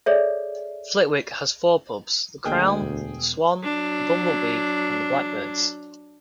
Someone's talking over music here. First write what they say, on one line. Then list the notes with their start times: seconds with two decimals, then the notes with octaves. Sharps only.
Flitwick has four pubs; the Crown, the Swan, the Bumble Bee and the Blackbirds.
0.06 G#4 A4 C#5 D5 E5
2.45 D2 A#3 G#4 D#5 G5
2.81 E1
3.64 F#3 D4